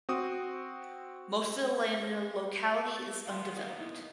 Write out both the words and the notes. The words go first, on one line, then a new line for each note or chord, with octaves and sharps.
Most of the land in the locality is undeveloped.
C4 F#4 D#6
A#2 D#3 B3 F5 C6
F5
D#4 E4 D#5